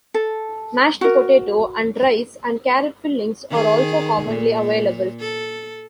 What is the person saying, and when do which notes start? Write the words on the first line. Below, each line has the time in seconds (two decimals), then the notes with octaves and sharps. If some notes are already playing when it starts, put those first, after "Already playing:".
Mashed potato and rice-and-carrot fillings are also commonly available.
0.14 A4
1.01 F#4 A#4
3.50 D#3 G#4
4.28 A#2
5.20 A4